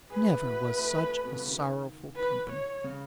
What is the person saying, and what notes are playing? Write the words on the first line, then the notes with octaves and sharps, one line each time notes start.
Never was such a sorrowful company.
G#4 B4
E4
F#4
A3
B2
C#3
D#3
B4
C#5
C#3